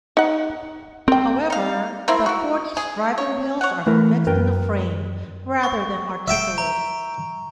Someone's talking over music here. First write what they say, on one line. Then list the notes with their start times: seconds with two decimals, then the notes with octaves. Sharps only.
However, the Forney's driving wheels are fixed in the frame, rather than articulated.
0.17 D#4 F#5
1.08 C4 A#4 G5
1.50 D#4 F5
2.08 A#3 C4 E4
2.26 E4 F#4
2.77 G#4
3.18 C#5
3.61 C#5 F#5
3.87 E3 A3 E4 A#4
4.27 F#2 A#4 B4 G5
5.63 C#6
6.28 E5 G5
6.58 A#5